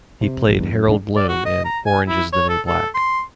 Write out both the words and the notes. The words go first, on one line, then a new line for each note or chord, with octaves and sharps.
He played Harold Bloom in "Orange is the New Black".
C3
A#1
E2 G2
F#2
E1 G#2 D3 D4
D5
F#4
D#5
A#5
G#5
E4
C#5
A4
A4
C6